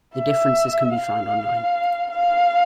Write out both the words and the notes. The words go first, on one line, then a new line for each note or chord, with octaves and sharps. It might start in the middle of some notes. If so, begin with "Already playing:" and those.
The differences can be found online.
E5
F5
F5